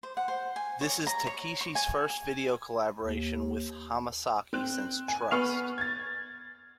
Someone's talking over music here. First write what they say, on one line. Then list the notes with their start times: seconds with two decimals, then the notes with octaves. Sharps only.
This is Takeishi's first video collaboration with Hamasaki since "Trust".
0.03 C5
0.17 F#5
0.28 C5
0.56 G#5
0.81 C#5
1.07 A#5
1.27 C#5
1.61 C#6
1.75 G#5
2.10 G#5
3.02 D#2
4.53 C4 F#6
5.08 G#5
5.31 B3 B4 C#6 F6 C7 F7
5.78 G#6 A6